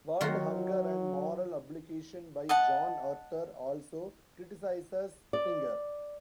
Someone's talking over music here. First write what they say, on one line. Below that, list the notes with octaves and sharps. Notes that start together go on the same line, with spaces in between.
World Hunger and Moral Obligation by John Arthur also criticizes Singer.
D#3 F#3 F4 F#4
D#5 F#5 A5
D5